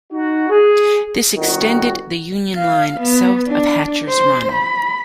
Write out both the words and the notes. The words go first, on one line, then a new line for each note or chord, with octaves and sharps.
This extended the Union line south of Hatcher's Run.
D#4 F#4
G#4
G1 D#3 F#4
F5
B3
D4
C5
B5